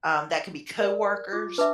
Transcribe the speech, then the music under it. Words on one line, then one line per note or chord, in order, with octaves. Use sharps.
um, that can be coworkers.
A#4 D5
F4 D6
D4 B4 E5 A5 D6